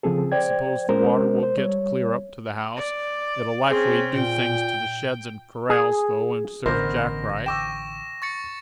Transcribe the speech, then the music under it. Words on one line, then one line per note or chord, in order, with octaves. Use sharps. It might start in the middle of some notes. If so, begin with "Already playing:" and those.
I don't suppose the water will get clear up to the house; it'll likely do things to the sheds and corrals, though, and serve Jack right.
C#3 F3 C4 G#4 A4
C5 D5 G5 G#6
G#3 C#4 A#4 C5
C5
G3 C#5
D5
C4 C#4 G#4
A#2 G5
G#4
A1 B2 D3 A#4 C5 A#6
G5 C#6 D6 E6 A#6 E7
C#6 A6 C#7